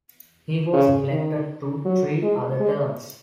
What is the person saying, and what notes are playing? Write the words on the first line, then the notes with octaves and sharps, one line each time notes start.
He was elected to three other terms.
C#3
D#3
F#3
G#3
G#3